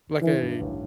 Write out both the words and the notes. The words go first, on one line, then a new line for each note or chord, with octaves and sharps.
Like a
D#3 E3
G2
A1